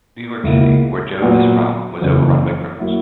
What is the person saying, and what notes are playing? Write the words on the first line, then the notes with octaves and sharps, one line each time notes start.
New York City, where Jones is from, was overrun by criminals.
C#2 B2 A#3 E4
A#2 F#3 B3 F#4
F#1 F#2 E3
F#3 A#3 E4